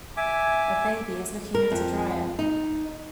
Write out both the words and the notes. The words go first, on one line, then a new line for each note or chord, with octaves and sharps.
A baby is looking at a dryer.
E5 G#5 D6
A#4
F2
D#4